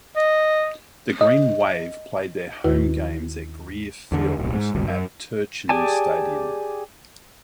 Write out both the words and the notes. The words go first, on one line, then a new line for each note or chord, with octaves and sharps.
The Green Wave played their home games at Greer Field at Turchin Stadium.
D#5
D#5
D#2 D#3 E4 F#4 B4
E2 D3
D1 B1
G#2
G#1 D2 G2 C3
F#2
G4 G#4 D5 G#5 A5